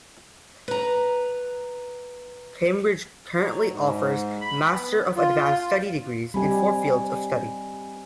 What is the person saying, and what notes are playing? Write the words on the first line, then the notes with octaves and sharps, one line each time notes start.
Cambridge currently offers master of advanced study degrees in four fields of study.
B4 A#5
F#3
G#2
B5
B3
F4
G3 C4 G4 D#5 G#5 B5